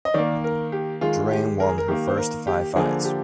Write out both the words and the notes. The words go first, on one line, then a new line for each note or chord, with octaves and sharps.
Draine won her first five fights.
D#5
D#3 A#3 D5
A#4
G4
D#3 G#3 F4
F4
G4
A#4
G#4
A#4
D#3 A#3 G4
C5
A#4
G4
D3 F3 A#3 G#4
G4